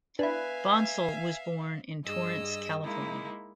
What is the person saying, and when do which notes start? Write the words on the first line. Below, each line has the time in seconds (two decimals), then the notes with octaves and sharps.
Bonsall was born in Torrance, California.
0.19 D4 E4 B4 E5 F5 G#5
2.04 G2 G#4 D#5 E6
2.82 G#3 A#3 D#4 E4